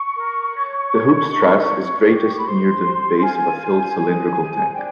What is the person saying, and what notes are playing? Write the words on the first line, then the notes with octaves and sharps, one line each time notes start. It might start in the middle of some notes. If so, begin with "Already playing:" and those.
The hoop stress is greatest near the base of a filled cylindrical tank.
Already playing: C#6
A#4
C#5
C#5
D#4
C#5
G4
B5
C5 C6
C5
F4 G#5
C5
G#4 G#5
C5
D4 G5